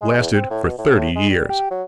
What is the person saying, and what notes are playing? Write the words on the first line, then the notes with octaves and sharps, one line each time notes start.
It lasted for thirty years.
G#3
E2
C4
A2
B2
A2
A2
G#3
G3
G4
F#3